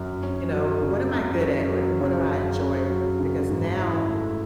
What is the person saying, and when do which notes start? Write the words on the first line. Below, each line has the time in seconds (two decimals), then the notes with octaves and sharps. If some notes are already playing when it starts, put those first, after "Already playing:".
you know, "What am I good at? R what do I enjoy?" Because now
Already playing: F#2
0.23 C#4
0.52 F#3
0.81 C#3
1.12 F#2
1.41 C#4
1.71 F#3
2.01 C#3
2.30 F#2
2.60 C#4
2.89 F#3
3.19 C#3
3.49 G#2
3.78 E4
4.09 A3